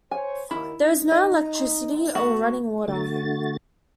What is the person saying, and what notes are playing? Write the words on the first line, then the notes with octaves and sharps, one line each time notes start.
There is no electricity or running water.
C5 C#5 G#5
D#2 D#3 E4
D#4
D#5
A3 B3 F#4
D3 A3 F#4 A6